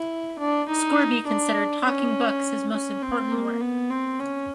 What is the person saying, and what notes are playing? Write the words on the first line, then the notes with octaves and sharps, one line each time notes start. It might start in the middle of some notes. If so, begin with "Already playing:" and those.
Scourby considered Talking Books his most important work.
Already playing: E4
D4
D#4
D4
C#4
C#4
C4
A#3
B3
C4
C#4